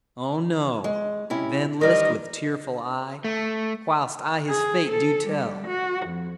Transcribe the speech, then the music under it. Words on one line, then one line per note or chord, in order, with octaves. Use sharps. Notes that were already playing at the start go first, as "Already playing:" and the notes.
O no. Then list with tearful eye, Whilst I his fate do tell.
G#3
C3 C#4 E4
D#3 G3 A#4 D#5
A3
G#4
A4
G3
F#4
F2